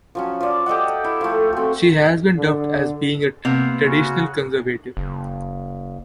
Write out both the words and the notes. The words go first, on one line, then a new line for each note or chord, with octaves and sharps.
She has been dubbed as being a 'traditional conservative'.
F3 F#3 C#4
F3 D5
G4 A4 D#5 F#5
E4
F3 A3
C4 F#4
D3
C3 A#3 B3
C#3 F#4
F#1